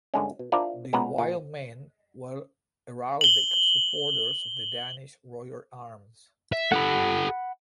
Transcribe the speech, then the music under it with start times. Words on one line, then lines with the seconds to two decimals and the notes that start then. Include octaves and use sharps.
The wild men were heraldic supporters of the Danish royal arms.
0.14 G1 D3 G#3 C#4
0.39 B2
0.52 D4 E4 F4 A#4 C5 D5
0.93 A#2 G#3 B3 C#4 B4 A#5
1.18 A#2
3.21 F#7 G7
6.53 E5
6.72 G4 A4 F#5 B5